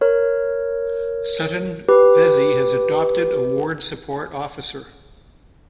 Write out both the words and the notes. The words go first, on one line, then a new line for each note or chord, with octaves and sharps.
Sutton Vesey has adopted a Ward Support Officer.
A#4 C#5
G4 B4